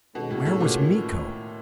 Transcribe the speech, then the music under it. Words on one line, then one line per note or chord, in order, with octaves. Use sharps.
Where was Miko?
B2 D#3 G#3 C#4 F#4 A4
A2
A2
A#2